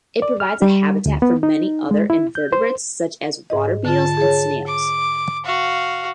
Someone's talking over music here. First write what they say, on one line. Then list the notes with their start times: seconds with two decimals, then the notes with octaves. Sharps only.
It provides a habitat for many other invertebrates such as water beetles and snails.
0.22 D5
0.40 F6
0.62 G3
1.06 D2
1.22 B3
1.43 D#4
1.91 G#3
2.10 E4
2.35 G6
2.53 C5
3.50 G#2 G#4 D#5
3.85 D3 F4 A5
4.17 G#4 C#5
4.67 D6
5.45 F#4 F5